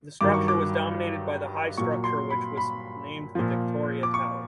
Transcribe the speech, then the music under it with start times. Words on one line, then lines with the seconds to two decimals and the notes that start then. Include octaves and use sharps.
The structure was dominated by the high structure which was named the "Victoria Tower".
0.21 G2 D#3 F#3 D6
0.34 C#6
0.48 D6
1.78 A#2 F#3 C#6
2.04 C6
2.31 B5
2.57 B5
3.35 A#2 F3
4.03 D6
4.14 C#6